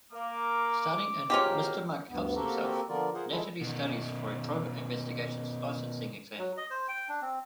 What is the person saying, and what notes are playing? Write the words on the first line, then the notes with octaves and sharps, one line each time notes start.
Starting in "Mr. Monk Helps Himself", Natalie studies for a private investigations licensing exam.
A#3 D6
G#2 B2 A#3 C#4 F4 G4
D2 G2 B3
A#3 C4 F#4 G4 A4 A#4
D3 F3 B3 F4 A#4 D5
F4 G#4 A#4 C5 F#5
F3 G#3 E4 F4 G#4 A4
B2 D#3
F#3
D#5
C5
G5
D4
C4